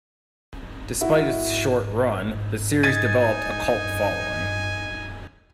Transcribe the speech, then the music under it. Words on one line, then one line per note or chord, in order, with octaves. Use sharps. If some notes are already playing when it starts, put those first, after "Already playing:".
Despite its short run, the series developed a cult following.
E4 F#4
D#4 G#5 G#6 A6 D#7